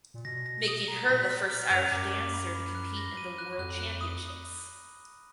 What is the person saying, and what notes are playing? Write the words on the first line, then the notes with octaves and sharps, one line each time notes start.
Making her the first Irish dancer to compete in the World Championships.
A#2
B2 A#6
A#6
D#6
A#5
A#2 B6
F6
F6
F#2 F7
F#2 D6
D6
B5
B5
F#6
A#6
D#7
F#6
F2 F#6
F#6
D#6